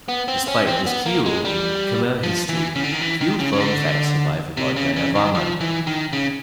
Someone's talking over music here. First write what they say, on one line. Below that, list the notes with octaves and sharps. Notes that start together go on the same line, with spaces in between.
Despite this key role in Khmer history, few firm facts survive about Jayavarman.
B3
C4
C#4
C4
B3
A#3
G#3
G3
F3
E3
C#3
D3
D#3
E3
D#3
C#3
C#3
D3
C3
C#3
C#3
D#3
F3
E3
D#3
C#3